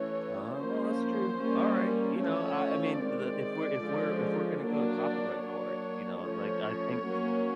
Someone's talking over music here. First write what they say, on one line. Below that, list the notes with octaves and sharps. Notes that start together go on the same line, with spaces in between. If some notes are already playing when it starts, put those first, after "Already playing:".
Uh, well, that's true. Alright. You know, I I mean, the if we're if we're if we're gonna go to copyright court, you know, like, I think
Already playing: E3 A3 C#4 C#5
F3 A#3 C#4 C5
G3 A#3 C#4
F3 A3 C#4 C#5
D#3 G#3 C4 D5
D3 F3 G#3 C#4
F#3 A#3 D4
D5
F#3 A#3 D4 C#5
F3 A3 C#4 C#5
F#3 A#3 C#4